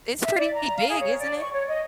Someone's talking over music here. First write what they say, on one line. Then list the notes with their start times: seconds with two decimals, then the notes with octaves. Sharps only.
It's pretty big, isn't it?
0.22 E5
0.38 D5
0.54 A#5
0.77 F5
0.88 G#4
1.00 C#5
1.19 D5
1.39 C#6
1.53 C#5
1.69 D#5